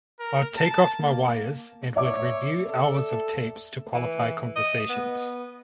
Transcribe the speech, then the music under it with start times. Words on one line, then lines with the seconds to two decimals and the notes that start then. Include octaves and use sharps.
I’d take off my wires and we’d review hours of tapes to qualify conversations.
0.20 A#4
0.56 A5
1.00 A#3
1.96 C#5 D5 E5 D6
2.71 A4
3.94 E3
4.56 D#5
4.89 B3